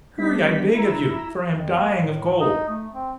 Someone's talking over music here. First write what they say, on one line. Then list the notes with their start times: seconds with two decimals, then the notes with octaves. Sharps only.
"Hurry, I beg of you, for I am dying of cold."
0.18 G3 B3 D4 B6
0.73 E4 A#5 E6
1.54 F2
1.77 A#3
1.97 A2
2.40 D#4
2.69 A3
2.92 C4